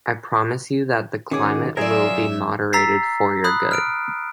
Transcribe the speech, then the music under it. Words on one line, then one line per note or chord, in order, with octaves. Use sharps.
I promise you that the climate will be moderated for your good.
D#3 C#4 F#4 G#4 D6
F#2 F4 G#4 A#4 C#5 D5 E5 E6
A#5 E6 A6 B6 C7
B5 D#6 F#6
F6 D7